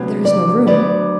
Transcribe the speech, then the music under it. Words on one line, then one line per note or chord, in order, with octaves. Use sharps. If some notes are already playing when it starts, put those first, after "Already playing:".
"There is no room."
Already playing: D2 C3 F#3 B3
D5
D2 C3 F#3 B3 D5